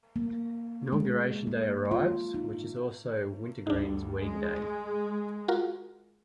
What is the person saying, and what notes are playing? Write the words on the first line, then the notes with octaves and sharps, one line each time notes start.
Inauguration day arrives, which is also Wintergreen's wedding day.
A#3
G#3
A#3
F4
D#4
D2 G2 D4 D#4
G#3
F4 F#4 A#4